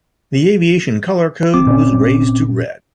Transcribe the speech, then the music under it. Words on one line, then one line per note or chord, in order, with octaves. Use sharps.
The Aviation Color Code was raised to Red.
G1 C4 D6
A#2 C#4